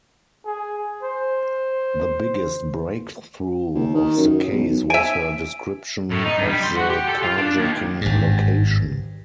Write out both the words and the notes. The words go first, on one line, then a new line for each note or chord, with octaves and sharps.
The biggest breakthrough of the case was her description of the carjacking location.
G#4
C5
D#2
D#3
F#2
B1
E5 G#5 D7
A2
D#4
G2
G3
C6
F#4
G4
A4
F4
D4
D#2
G#1 G2